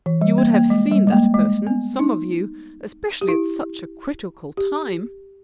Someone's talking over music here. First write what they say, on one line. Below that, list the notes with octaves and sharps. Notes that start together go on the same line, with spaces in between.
You would have seen that person, some of you, especially at such a critical time.
E3
G3
A#3
A#3
G#3
G3
G#3
A#3
G#3
B3
D#4
G4
E4
G4